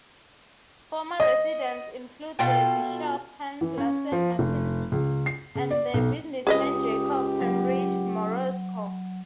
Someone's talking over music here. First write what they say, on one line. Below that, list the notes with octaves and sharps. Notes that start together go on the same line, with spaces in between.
Former residents include the bishop Hans Lassen Martensen and the businessman Jacob Heinrich Moresco.
D#5
B2 F4 A4 G5
E3
C#4
F3
F1
C#2
C7
C#3
D5
B1
C#2 G4 G#4 B4 D#5 D#6
F#3